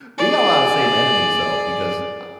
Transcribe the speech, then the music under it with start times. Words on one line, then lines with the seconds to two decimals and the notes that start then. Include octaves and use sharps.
we got a lot of the same enemies, though, because I
0.18 G#4 D5